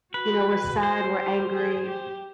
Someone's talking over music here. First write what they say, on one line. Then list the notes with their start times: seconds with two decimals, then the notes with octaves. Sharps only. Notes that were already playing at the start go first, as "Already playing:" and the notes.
you know, we're sad, we're angry.
0.14 F#4 B4
0.83 C5
1.18 G4
1.53 G#4
1.87 G4